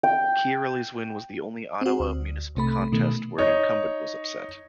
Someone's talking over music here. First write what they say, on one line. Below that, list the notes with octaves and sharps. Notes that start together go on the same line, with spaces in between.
Chiarelli's win was the only Ottawa municipal contest where an incumbent was upset.
G5
C4 F#4
D2
C2 C3 A3 B5
B2 D#3 A3
D#4 C#5